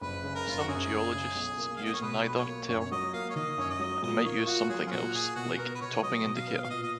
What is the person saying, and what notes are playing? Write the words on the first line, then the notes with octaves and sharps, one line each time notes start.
Some geologists use neither term, and might use something else, like topping indicator.
F#1 B4
C#3
A#4
F#1 F4
F#4
F#2 G#4
F#1
C#3
B1
A#3
B1 F5
D#5
C#5
B2 B4
B1 B4
C#5
A#3
F#2 C#5
C#5
F#3 D#5
A#3 F5
C#5
D#3 D#5
F#2 C#5
D#5
F#3
A#2 D#5
A#3 C#5
F4 F#4
F#3 G#4
F4
A#2 F#4
A#3 G#4
B2 F#4
B3 A#4
B4
B2 C#5
F#3 D#5
B2
F5
B3
F5
A#2 D#5
D#5